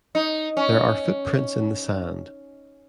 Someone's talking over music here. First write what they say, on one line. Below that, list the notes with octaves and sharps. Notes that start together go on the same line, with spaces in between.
There are footprints in the sand.
D#4
C#4